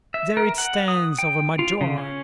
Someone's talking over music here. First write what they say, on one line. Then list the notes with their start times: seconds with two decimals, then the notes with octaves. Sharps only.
There it stands over my door.
0.14 E5
0.37 A#4
0.58 F#5
0.88 D#6
1.19 G5
1.59 F4
1.81 C#3
1.98 C#4